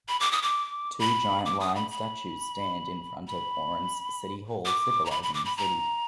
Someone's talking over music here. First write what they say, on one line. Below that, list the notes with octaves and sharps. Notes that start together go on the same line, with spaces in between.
Two giant lion statues stand in front of Oran's city hall, symbolizing the city.
B5
D6
D#6
D6
B5
D6
D#6
B5
B5
B5
D6
A#5
B5
B5
D6
B5
A#5